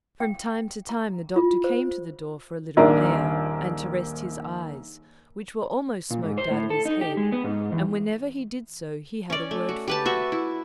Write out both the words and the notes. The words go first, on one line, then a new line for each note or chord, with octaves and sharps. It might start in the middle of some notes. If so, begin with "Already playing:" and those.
From time to time the doctor came to the door for a little air and to rest his eyes, which were almost smoked out of his head, and whenever he did so, he had a word for me.
G5
A#5
F4
C5
D#1 A#1 D#3 D4 A#4
A#2
G#2
C5
A2
A4
D#4
G4
G#3
B3
G#2
E2
C#4 D5
A3
F#4
G4 B4 A5
F#4 E5
E4